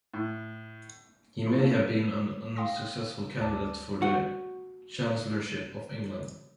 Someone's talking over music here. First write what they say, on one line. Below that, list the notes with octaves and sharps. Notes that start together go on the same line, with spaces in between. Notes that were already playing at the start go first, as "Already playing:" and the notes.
He may have been an unsuccessful candidate for the chancellorship of England.
A2
F3 A3 E4 F4
F3 A3 A#3 D4 A4 B4
F5 G5 C6 D#6 A#6
D2 D5 A5 D6
F#4 F#5